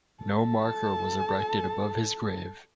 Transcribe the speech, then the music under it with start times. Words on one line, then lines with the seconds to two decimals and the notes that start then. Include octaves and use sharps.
No marker was erected above his grave.
0.24 A4 A5